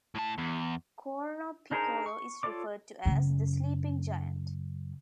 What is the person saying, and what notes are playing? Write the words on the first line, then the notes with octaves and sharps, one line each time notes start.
Corno Piccolo is referred to as, "The Sleeping Giant".
A2 A5
E2
D4 D#4 G#4 A#4 C5
C#6
F4 A4 C#5 D5 D6
F#2 C#3